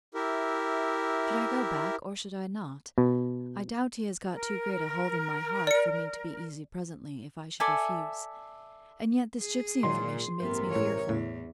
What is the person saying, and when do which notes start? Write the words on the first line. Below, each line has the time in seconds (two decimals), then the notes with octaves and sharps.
Should I go back, or should I not?--I doubt he has got too great hold in my heart, for me to be easy presently, if I should refuse: And yet this gipsy information makes me fearful.
0.14 E4 G4 A#4 E5
2.98 B2
4.33 A#4
5.67 D5 C#7
7.60 A4 D5 E5 G#5
9.40 G#4
9.83 A#2 D#3 F#3 G#3 C6
10.40 A1 G2 C3 B3 A#4 C5
10.71 A2 F3 C#5
11.09 E2 A2